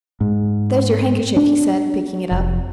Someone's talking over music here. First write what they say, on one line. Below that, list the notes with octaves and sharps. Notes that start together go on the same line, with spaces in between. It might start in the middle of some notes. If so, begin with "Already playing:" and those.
"There's your handkerchief," he said, picking it up.
G#2
D4
F1